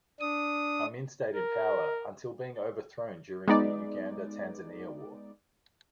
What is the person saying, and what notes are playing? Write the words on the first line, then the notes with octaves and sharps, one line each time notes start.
Amin stayed in power until being overthrown during the Uganda–Tanzania War.
D4 D#6
A#4
G#3 B3 D#4 D5